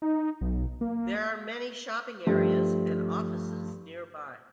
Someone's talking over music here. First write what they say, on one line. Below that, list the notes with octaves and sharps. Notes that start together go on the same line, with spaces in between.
There are many shopping areas and offices nearby.
D#4
B1
A#3
G2 F3 A3 G4